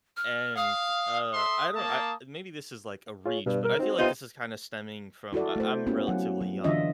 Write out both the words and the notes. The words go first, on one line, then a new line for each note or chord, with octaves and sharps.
And, uh, I don't I maybe this is, like, a reach, but I feel like this is kinda stemming from I I'm relatively young.
F6
F5 D#6
A4 E5 C6
A#3 A5
F4 G#4 C#5
G2 B2 G3
A#4
C4 D#4 F#4
C3 B3 C4 D#4 F4 B4
E4 F#4 A4 D5
A3 C5
A#3 B3 C#4 E4 F#4 G4
F#3 F#5
F#3
D3 E3 D4 F4 D#5 E5